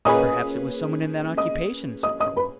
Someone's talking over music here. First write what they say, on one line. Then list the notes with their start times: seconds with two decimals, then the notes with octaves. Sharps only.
"Perhaps it was some one in that occupation," said Cromwell.
0.05 A#2 A#3 C#4 G#4 B4 D#5 D#6
1.37 D#5 D#6
2.03 D#5 D#6
2.20 D#5 D#6
2.37 B4 B5